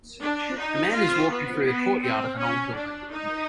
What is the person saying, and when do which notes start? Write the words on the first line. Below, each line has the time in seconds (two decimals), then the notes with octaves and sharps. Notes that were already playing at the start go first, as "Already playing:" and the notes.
A man is walking through the courtyard of an old building.
0.21 D4
0.58 D#4
0.94 F4
1.30 B3
1.66 B3
2.02 C4
2.38 C#4
2.75 D4
3.11 D#4